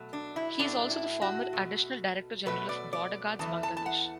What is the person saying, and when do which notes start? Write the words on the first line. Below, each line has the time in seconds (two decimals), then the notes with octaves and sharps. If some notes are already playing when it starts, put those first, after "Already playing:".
He is also the former additional director general of Border Guards Bangladesh.
Already playing: B2 F#3 A3
0.13 D4
0.36 E4
0.59 A2 F#3 A3 D4
0.90 E4
1.21 F#4
1.53 B2 A3
2.46 B2 F#3 A3 B4
2.69 D5
2.93 D5
3.39 E2 E3 A3 A5
3.63 A5
3.77 A5
3.86 F#5